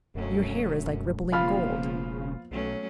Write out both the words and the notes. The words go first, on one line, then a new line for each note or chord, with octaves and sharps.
Your hair is like rippling gold.
E1 F#2 F#3 A3 C#4
C#3 F3 A#3 B3 F4 B5 F6
B1 F#3 A3 C#4